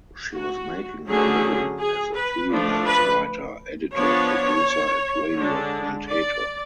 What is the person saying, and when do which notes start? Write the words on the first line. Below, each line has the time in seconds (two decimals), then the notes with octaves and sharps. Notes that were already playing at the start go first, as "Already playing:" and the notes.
She was making her living as a free-lance writer, editor, producer, and radio commentator.
0.35 F#4
1.07 D3 F#3 A3 C#4 G#4
1.78 G#4
2.15 B4
2.51 F3 A3 D4
2.86 B4
3.94 F3 B3 D4 C#5
5.37 D3 G#3 D4
6.08 D5